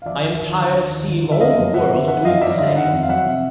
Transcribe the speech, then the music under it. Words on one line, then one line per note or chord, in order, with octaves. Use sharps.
I am tired of seeing all the world doing the same.
F5
F3 D5 E5
D#2
D#2
D3
F3
D#2
D#2
D3
E5
F3 D#5 F5
F#2
F#2 E5 F#5
D3
F3 E5 F#5
F#2 D#5 F5
F#2 D5 E5
D3 D#5 F5
D#3 E5 F#5
F2
F5
F#3 E5 F#5
C3